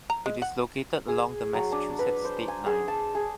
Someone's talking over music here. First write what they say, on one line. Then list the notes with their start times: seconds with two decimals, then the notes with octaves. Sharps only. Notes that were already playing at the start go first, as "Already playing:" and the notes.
It is located along the Massachusetts state line.
0.10 A#5
0.26 G#3
0.42 F#5
1.08 G#4
1.54 F#3
1.72 D4
1.99 B4
2.25 C5
2.48 G#5
2.66 G#4
2.88 A5
3.15 G#4